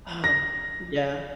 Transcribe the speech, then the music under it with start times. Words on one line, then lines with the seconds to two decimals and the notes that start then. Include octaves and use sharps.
um, yeah.
0.24 A#6